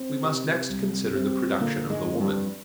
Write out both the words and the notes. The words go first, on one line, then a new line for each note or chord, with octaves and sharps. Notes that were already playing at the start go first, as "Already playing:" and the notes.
We must next consider the production of the woman.
Already playing: C4
C3
C2
C3
A#2 D3 A#3
G#2 G#3
F2
G2 G3